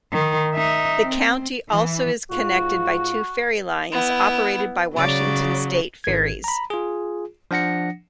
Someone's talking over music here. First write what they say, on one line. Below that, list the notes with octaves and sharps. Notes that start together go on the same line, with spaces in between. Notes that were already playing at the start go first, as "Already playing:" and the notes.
The county also is connected by two ferry lines operated by Washington State Ferries.
D#3
D#4 E5
C4
E3
G#2 F4 F#4
B3 E4
C#3 F#3 D5
G#1 G#6
A#5 B5
F4 G#4
F3 D4 F#5 A#6 C#7